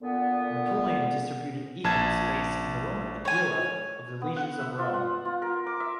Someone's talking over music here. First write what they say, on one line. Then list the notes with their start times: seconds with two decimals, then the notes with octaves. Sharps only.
Napoleon distributed "eagles" based on the Roman aquila of the legions of Rome.
0.01 A#2 D3 B3
1.84 A#1 A5 G#6
3.25 C#5 G#5
4.22 B3
4.36 F#5
4.60 E5
4.79 F4
4.94 F#5
5.25 F4
5.42 A#4
5.66 D6
5.80 E5